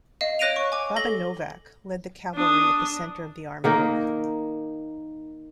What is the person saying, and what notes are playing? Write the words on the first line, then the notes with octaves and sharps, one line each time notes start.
Baba Novac led the cavalry at the center of the army.
D#5 F5
C#5 F#6 A#6 D7 D#7 F7
C#6
G#5 D6
A4 A#6 G7
D4 D#6
D#3 A#3 D#4